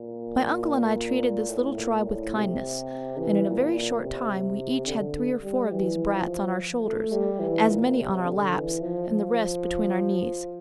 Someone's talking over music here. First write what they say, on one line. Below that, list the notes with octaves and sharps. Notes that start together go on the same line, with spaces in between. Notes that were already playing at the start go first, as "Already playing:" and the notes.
My uncle and I treated this little tribe with kindness; and in a very short time we each had three or four of these brats on our shoulders, as many on our laps, and the rest between our knees.
Already playing: A#2
A2
A#2
A2
C3
E3
A#2
A#2
C3
D3
G3
E3
F3
A3
G3
E3
A#2
C3
D3
E3
F3
F3